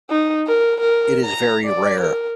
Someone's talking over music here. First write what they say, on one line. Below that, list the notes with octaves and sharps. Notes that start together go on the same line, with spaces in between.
It is very rare.
D#4
A#4
A#4
A#5
D5
A#4